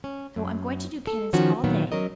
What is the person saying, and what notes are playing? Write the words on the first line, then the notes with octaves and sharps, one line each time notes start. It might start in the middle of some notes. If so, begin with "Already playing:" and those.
So I'm going to do penance all day.
C#4
F#2
A4
D#3 F3 C#4 F#4
A#2 D#3 F#3 B3
F#3 C#4 A#4 D#5